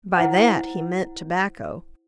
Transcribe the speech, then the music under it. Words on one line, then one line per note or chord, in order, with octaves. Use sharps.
By that he meant tobacco.
E4 C5 F#5